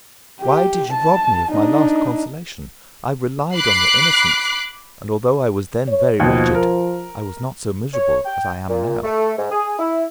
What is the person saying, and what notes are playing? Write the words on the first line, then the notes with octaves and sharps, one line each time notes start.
"Why did you rob me of my last consolation? I relied on your innocence, and although I was then very wretched, I was not so miserable as I am now."
G4
A5
D4 D#4
B5 D6 F#6 C7
C#5
D#2 B2 F3
A#4
C#5
G5
A#2
A3
G#2
G#4
E4